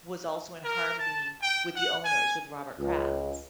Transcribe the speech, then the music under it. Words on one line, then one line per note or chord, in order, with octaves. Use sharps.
was also in harmony with the owners, with Robert Kraft's,
A#4
A5
G5
F#5
G#5
C#2